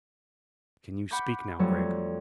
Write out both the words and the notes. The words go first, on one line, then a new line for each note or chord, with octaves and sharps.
"Can you speak now, Gregg?"
F#5 B5 C#6 D6 G6
F2 F#3 G3 A3 C#5 C#6